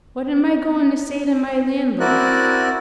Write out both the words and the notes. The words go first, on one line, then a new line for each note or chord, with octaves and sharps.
What am I goin' to say to my landlord?
C4 E4 F#4 A#4 D5 F#6